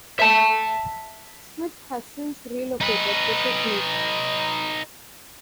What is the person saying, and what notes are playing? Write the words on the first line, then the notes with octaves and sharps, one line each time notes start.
Smith has since relocated to Sydney.
E5 A5
D#4 B4